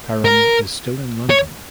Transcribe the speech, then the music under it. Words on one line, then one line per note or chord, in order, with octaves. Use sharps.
Param is still in London.
A#4
C#5